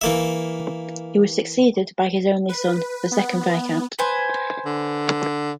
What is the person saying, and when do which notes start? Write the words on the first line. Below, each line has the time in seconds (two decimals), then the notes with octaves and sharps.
He was succeeded by his only son, the second Viscount.
0.02 E3 A#3 E5
2.49 B4
3.11 B3
3.99 B4 C5 G#5
4.66 D3